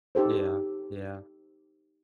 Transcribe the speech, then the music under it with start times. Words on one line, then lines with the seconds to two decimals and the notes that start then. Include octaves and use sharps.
Yeah, yeah.
0.15 D#4 G4 A4 C5